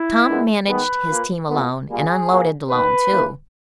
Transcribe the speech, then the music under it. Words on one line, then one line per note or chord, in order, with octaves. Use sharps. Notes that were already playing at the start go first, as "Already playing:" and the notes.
Tom managed his team alone, and unloaded alone, too.
Already playing: E4
A#2 G#3 B3
D#3 G#3 B3 B4
A#2 A#3
A#2 G#3 B3
A#2 G3 A#3 G#4
A#2 A#3
D#3 A#3 B4
C#3 E3 A#3